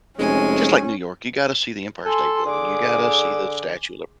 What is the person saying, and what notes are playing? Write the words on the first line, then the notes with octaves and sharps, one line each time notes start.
just like New York, you gotta see the Empire State Building. You gotta see the Statue of
F1 G#3 C#4 G#5
A4 G#5 C6
D3 G#4 D6